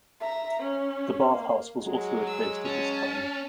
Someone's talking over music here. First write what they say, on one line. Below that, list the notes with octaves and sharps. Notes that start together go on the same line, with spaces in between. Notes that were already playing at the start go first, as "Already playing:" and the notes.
The bath house was also replaced at this time.
E5 A#5
C#4
A#3
F#3 G#3
E6
C#4 A5